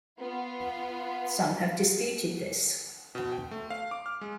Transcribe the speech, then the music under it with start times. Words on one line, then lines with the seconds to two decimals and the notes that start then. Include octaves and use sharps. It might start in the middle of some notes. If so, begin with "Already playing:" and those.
Some have disputed this.
0.18 B3 F4
3.15 B2
3.32 G5
3.51 A3
3.70 F5
3.91 D6
4.06 F6
4.21 G#3